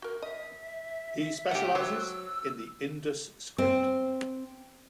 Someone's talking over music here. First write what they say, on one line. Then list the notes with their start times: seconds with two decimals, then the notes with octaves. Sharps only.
He specializes in the Indus script.
0.02 F#4 A#4
0.22 D#5 E5
1.51 A2 G4 F#5
1.75 F#3 F#4 C5 E6
3.58 C4